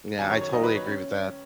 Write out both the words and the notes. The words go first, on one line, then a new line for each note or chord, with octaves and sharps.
Yeah, I totally agree with that.
F#2 D#3 F#3 G#5
C#5
C#5
D#3 F#3 D#4 D#5
B4
C#5
C#4